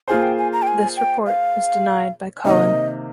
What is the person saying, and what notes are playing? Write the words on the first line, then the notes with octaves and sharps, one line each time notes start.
This report was denied by Cullen.
A#3 F4 G#4 C5 G#5
G5
G#5
A#5
G5
G#5
G5
F5
C3 D#3 A#3 D#4 D#5